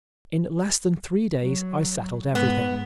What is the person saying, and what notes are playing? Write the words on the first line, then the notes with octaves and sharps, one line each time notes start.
In less than three days I settled everything.
F#3
G#2 B3